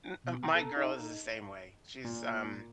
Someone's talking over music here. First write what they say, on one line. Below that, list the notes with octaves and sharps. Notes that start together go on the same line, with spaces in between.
m uh my girl is the same way. She's, um
B2
A#5
A4
D#4
A#2